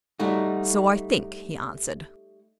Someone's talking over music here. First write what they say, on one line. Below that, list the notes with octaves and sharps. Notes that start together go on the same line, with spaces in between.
'So I think,' he answered.
G3 A3 D#4 F#4